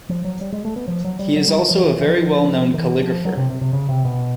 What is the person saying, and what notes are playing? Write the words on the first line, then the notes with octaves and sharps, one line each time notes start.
He is also a very well-known calligrapher.
F3
F#3
G3
G#3
A3
B3
F3
F#3
G3
F#3
G3
F3
E3
E3
F3
D#3
E3
F3
F#3
C3
C3
C3
C#3
C3
B2